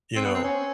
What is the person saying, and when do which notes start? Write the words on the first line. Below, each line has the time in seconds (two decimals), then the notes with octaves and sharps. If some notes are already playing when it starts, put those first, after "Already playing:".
You know
0.16 C4
0.25 B3
0.35 C4
0.44 C#4